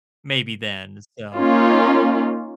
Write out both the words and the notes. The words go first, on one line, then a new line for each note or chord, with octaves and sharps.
Maybe then, so
A#3 C#4 D#4 F4